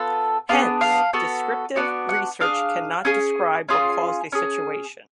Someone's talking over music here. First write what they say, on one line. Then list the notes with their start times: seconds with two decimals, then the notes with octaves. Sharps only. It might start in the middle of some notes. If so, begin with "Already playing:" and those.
Hence, descriptive research cannot describe what caused a situation.
Already playing: B3 F4 A4
0.49 B3 D4 G#4 F5
0.81 F5
1.13 B3 F#4 A4
1.76 B3 D4 F#4 F#5
2.09 F#5
2.40 D4 G#4 F5
3.05 C#4 G#4
3.69 C#4 F4 G#4
4.32 C#4 G#4